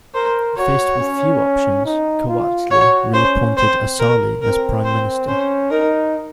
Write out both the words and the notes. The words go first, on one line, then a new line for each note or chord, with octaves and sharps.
Faced with few options, Quwatli reappointed Asali as Prime Minister.
A#4 C5
F#4 C#5
C#4
D#4
F4
F#4 C#5
C#4 C5
C4 C5
A#4
C4 A#4
C5
C#4 C5
D#4 A#4